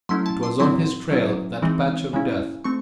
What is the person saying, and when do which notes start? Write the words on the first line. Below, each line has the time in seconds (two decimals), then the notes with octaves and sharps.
It was on his trail, that patch of death.
0.09 F#3 A3 C#4 E4 C6
0.26 A5
0.43 C6
0.60 A2 F#3 C4 E4 C6
1.11 F#3 C#4 E4
1.62 E3 G#3 C4 D#4
2.13 C#3 G#3 C#4 E4
2.64 A3 C4 C#6